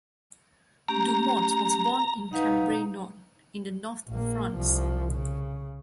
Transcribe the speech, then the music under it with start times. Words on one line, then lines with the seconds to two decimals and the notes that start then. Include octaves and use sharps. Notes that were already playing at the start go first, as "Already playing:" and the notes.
Dumont was born in Cambrai, Nord, in the north of France.
0.88 A3 C#4 G4 A#5
2.33 D#4 B4 F5 F#5
4.09 A#1 A#3
4.57 C2 F3
5.13 C#3